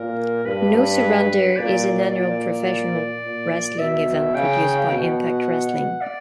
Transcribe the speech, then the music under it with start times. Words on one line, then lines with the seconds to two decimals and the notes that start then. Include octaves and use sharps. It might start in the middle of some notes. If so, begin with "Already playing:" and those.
No Surrender is an annual professional wrestling event produced by Impact Wrestling.
Already playing: A#2 A#4
0.45 G2 B4
1.56 A#2 D5
2.12 A#2 D5
3.23 A#2
3.79 B2 E5
4.34 C#3 G5
4.90 B2 F#5
6.01 D5